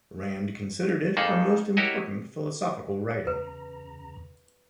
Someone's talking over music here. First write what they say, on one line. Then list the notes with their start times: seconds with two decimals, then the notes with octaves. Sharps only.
Rand considered it her most important philosophical writing.
1.17 F2 A#3 D#4 G#4 A4
1.77 E4 F#4 G4 A#4 C#5 D#5
3.27 E2 C#3 B4 A#5